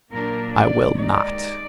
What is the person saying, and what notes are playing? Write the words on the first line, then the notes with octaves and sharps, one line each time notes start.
"I will not."
A#2 F#3 A#3 D4 A#4
D5
D#2 D#3 G#3 D#4 D5